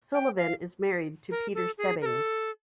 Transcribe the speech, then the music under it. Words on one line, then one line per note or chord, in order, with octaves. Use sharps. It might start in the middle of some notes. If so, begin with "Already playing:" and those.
Sullivan is married to Peter Stebbings.
G5
F5
A#4
A4
G#4
A#4
A4